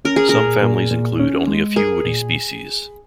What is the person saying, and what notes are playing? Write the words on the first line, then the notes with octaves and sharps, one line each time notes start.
Some families include only a few woody species.
C#4 A#4
G#4
A#2 A#4
A#2
A#2
C#4
G#3
G#4 A#4
A#2